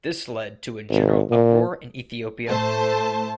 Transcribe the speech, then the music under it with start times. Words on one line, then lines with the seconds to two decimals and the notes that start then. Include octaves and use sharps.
This led to a general uproar in Ethiopia.
0.90 G#1
1.30 A#2
2.49 A2 A3 C5 A5